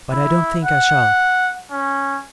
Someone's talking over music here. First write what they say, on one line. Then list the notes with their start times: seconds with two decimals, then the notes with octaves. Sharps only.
But I don't think I shall.
0.12 E4
0.65 F#5
1.72 C#4